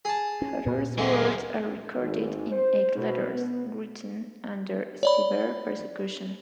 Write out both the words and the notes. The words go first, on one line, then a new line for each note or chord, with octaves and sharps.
Hutter's words are recorded in eight letters, written under severe persecution.
G#4 A5
C#4
D2 A#2
D3 E3 F#3 G#3
G#1
C5
B2
B3
C#5 D5 B5